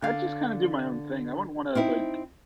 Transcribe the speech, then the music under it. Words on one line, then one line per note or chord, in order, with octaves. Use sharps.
I just kinda do my own thing. I wouldn't wanna, like
D3 F5
C4 D#4 E4 C5